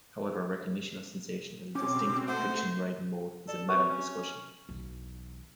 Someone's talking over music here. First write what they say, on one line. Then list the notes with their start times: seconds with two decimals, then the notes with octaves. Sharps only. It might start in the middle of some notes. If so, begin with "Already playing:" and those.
However, recognition of sensation as a distinct fiction-writing mode is a matter of discussion.
1.75 B2 C4 C#4 D6
2.28 A3 C5 F#5
3.48 A4 D5
3.69 C4 F#4 B4 C#5 C#6
3.89 C#4
4.69 B1 E2